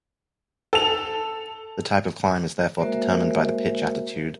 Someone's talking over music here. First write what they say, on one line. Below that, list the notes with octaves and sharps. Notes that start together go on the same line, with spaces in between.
The type of climb is therefore determined by the pitch attitude.
A4 F7
G#3 A#3 F#4 A#4 C5 E5